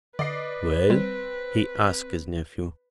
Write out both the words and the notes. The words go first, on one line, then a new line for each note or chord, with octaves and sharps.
"Well?" he asked his nephew.
D3 B4 D5 D#5 C7
G3 C4